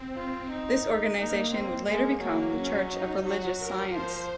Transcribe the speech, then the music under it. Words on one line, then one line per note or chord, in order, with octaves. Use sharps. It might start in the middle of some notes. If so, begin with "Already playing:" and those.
This organization would later become the Church of Religious Science.
Already playing: C4
F4
D#4
A#3 D#4
C4
G#3 A#3
F#3 A#3
C#4
D#4
F#3 F#4
A#4
F3 C5